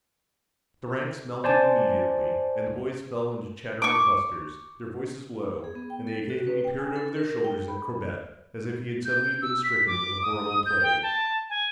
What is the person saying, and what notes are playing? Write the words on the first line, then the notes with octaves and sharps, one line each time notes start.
The ranks melted immediately and the boys fell into chattering clusters, their voices low, and they occasionally peered over their shoulders at Corbett as if he had suddenly been stricken with a horrible plague.
C5 D5 G#5 A5
C#6 D6
G#4
B3
G5
A4
F#4
B4
G5
G#5
A4
A#4
G5
B5
G6
E6
B6
D6
D#6
G6
G5
A5
G#5